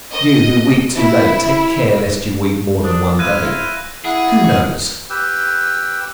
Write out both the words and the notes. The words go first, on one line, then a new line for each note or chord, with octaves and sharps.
You who weep too late, take care lest you weep more than one day. Who knows?
D#5
E4
D4 C5 D6 D#6
E4 F4 C5 F5 F#6 G#6 A#6 D#7
E4 G#4 F#5
G4 B4 G5 E6